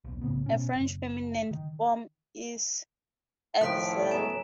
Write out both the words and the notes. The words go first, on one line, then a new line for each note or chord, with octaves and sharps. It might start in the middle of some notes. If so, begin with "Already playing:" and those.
A French feminine form is Axelle.
D#1 B1
B1 A2 C#3 B3
B2 C#4
F#1
D#3
A2 D#3 F3 C#4 A4 F#6 B6 D7
F#3 B3 G#5 A#5 E7